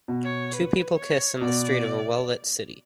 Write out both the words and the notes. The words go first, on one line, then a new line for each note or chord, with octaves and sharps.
Two people kiss in the street of a welllit city.
B2
C#5
B4
C#5
B2 D5